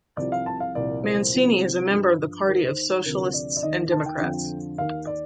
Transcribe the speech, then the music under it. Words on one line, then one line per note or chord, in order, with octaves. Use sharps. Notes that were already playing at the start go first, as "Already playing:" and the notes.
Mancini is a member of the Party of Socialists and Democrats.
C2 C3 F3 D5
F5
A5
F5
C2 A#2 F3 D5
C5
C2 C3 F3
G2 F3
D#2 D#3 A#4
C5
D2 C3 F3 A#4
D5
D5
D#2 D#3 D#5
A5
G5
F2 D3 F3
D#2 D#3 F5
D5